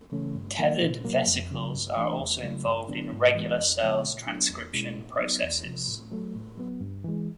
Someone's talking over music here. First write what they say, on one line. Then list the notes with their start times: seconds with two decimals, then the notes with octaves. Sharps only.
Tethered vesicles are also involved in regular cell's transcription processes.
0.12 C#3 E3 A3 C#4
0.35 G2
0.59 D#3 F#3 A#3
0.82 A#2
1.04 F#3 A#3
1.27 F2
1.51 C#3 F#3
1.74 G2
1.96 E3 A3 D4
2.20 E2
2.43 C#3 F#3 A3
2.66 G2
2.88 D3 F#3 B3 D4
3.13 G#2
3.35 E3 G#3 B3
3.59 F2
3.81 C#3 F3 G#3 B3
4.05 A#2
4.27 F#3 B3 D4
4.50 E2
4.73 B2 G#3 C#4 E4
4.96 A2
5.19 F#3 B3 D#4
5.42 E2
5.65 C3 F3
5.89 A2
6.12 F#3 A3
6.35 A2
6.57 F#3 B3
6.81 G2
7.04 E3 G#3